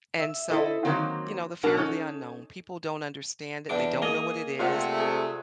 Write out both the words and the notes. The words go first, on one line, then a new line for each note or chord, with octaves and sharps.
And so, with you know, the fear of the unknown, people don't understand it, they don't know what it is.
E5
E4 F4 A4 C5 D#5
D#3 F#3 A#3 C4
B2 B3 D4 A#4 F#5 A5
C#4 D#4 A4
E2 D4 D6
A#3 G#4 D#5 A#5
C3 A3 F4 D5 F#5
G#4